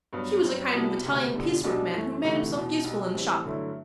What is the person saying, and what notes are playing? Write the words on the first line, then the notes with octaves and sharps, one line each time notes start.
He was a kind of Italian piece-work man, who made himself useful in the shop.
G2 F#3 B3
G2 F#3 C4
C2 C3 G3 B3 F#4
E1 D2 C3
E1 E2 D3 G3
B1 B2 G3 D4 F#4
F#2 E3 A3
D2 C3 E3 A3
E1 E2 B2
B1 B2 G3
A2 E3 G3 C4
G2 D3 F#3 A3 E4